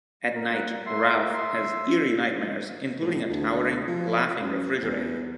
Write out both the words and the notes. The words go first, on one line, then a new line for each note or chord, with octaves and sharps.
At night, Ralph has eerie nightmares, including a towering, laughing refrigerator.
A#4
G3 F#5
E5 C6
C6
A2
D2
F3
F#2
E2